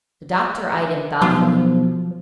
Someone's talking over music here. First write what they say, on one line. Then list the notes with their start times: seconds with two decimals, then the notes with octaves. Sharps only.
The doctor eyed him thoughtfully.
1.22 B1 F3